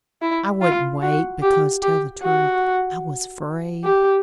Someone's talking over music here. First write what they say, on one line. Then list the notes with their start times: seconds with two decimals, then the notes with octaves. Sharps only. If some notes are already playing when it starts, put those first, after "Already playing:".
I wouldn't wait because, tell the truth, I was afraid.
0.22 E4
0.62 F4
1.02 F#4
1.42 G4
1.82 G4
2.23 F#4
3.84 G4